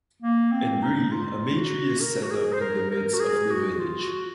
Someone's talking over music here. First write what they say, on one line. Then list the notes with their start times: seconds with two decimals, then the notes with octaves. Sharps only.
In Brie a May-tree is set up in the midst of the village.
0.22 A#3
0.52 C4
0.82 D#4
1.11 F4
1.56 F#4
2.01 A#4
2.23 F#4
2.31 G#4
2.53 C5
2.61 A#4
2.91 A#4
3.13 F#4
3.20 G#4
3.50 F#4
3.79 F4
4.02 F#4